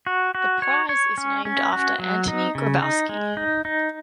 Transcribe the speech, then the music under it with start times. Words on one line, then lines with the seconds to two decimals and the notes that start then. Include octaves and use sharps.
The prize is named after Antoni Grabowski.
0.07 F#4
0.35 F#4
0.62 C#5
0.89 C#5
1.18 C#4
1.45 C#4
1.73 F#4
1.99 F#3
2.28 D#4
2.55 C#3
2.82 D#4
3.09 G#3
3.37 D#4
3.65 D#4